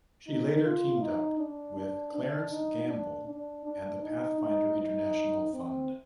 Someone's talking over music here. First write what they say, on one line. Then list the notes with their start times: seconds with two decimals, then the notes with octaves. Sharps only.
She later teamed up with Clarence Gamble and the Pathfinder International Fund.
0.27 D#4
0.64 F4
1.01 D#4
1.39 D4
1.76 D4
2.15 D4
2.51 D#4
2.89 D4
3.27 D4
3.65 D4
4.02 D#4
4.41 D#4
4.78 D#4
5.53 C4